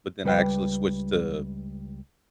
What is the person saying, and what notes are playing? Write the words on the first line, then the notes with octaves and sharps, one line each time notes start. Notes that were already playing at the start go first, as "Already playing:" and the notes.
but then I actually switched to,
C#2 G3 B4 G5